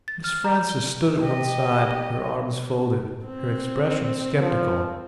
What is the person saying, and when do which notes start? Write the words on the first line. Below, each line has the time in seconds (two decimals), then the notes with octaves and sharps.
Miss Frances stood at one side, her arms folded, her expression skeptical.
0.08 A6
0.24 F6
0.44 A#5
0.56 G6
0.69 G7
1.21 G4 D#5
3.26 C4
4.42 F3